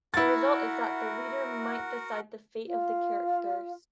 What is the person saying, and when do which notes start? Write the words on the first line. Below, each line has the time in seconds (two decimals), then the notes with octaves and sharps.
The result is that the reader might decide the fate of the characters.
0.14 E4 F#4 A#4 F#5 A6
2.67 F4